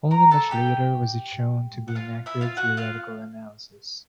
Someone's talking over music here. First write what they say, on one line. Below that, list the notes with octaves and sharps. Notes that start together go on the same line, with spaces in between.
Only much later was it shown to be an accurate theoretical analysis.
A#4 A#5
A4 A5
G4 G5
F#5
F4 F5
E4 E5
F4 F5
F#4 F#5
F4 F5